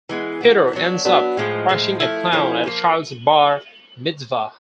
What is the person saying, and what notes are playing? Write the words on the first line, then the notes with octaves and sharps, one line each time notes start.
Peter ends up crushing a clown at a child's bar mitzvah.
E3 G#3 B3
E3 G#3 B3
F#3 B3 D4
F#3 B3 D4
A2 F3 G#3
A2 F3 G#3
F3 A3 C#4 E4
F3 A3 C#4 E4
D3 F3 A#3